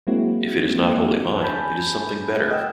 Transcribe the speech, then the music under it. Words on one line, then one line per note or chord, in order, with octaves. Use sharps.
If it is not wholly mine it is something better.
F#3 G#3 A#3 C4 E4 F#4
G#5 A5 B5 G6
D#5 F#5 G5 E6